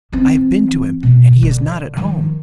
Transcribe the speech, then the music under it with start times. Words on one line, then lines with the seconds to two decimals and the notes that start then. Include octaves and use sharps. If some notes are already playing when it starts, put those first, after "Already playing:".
'I have been to him, and he is not at home.
0.12 E3 C4
1.03 B2
1.43 D3
1.97 D#3 F3